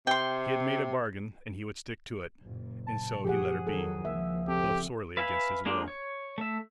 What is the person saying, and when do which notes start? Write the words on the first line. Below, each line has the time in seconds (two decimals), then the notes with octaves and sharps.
He had made a bargain and he would stick to it, and so he let her be, though sorely against his will.
0.07 C3 G5 C6
2.42 F#1 A#2
2.87 A5
3.25 F3 G4 G#4 F#5
3.67 F2 D#3 F#3 G#4 A4
4.05 C#2 F3 A#3 E5
4.48 C4 G4 A4
5.17 B4 E5 F5 G#5 B5
5.65 G#3 A#3 D4 F4 G4
5.88 C#5
6.38 A3 E5